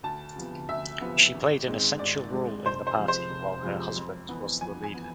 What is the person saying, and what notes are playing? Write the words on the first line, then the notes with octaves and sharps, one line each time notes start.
She played an essential role in the party while her husband was the leader.
D2 A5
C3 F3 B3
D2 E5
C3 F3 B3
G#1
G#2 G#3 C4
G#1 D5
G#2 G#3 C4
F1 C5
C5
F2 C3 F3 G#3
C5
F1
F2 C3 F3 G#3
F2
E3 B3
F2 G#5
G#5
E3 B3